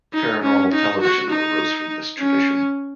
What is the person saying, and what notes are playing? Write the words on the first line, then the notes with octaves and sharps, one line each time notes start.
Paranormal television arose from this tradition.
D#4
C#4
D#4
F#4
D#4
C#4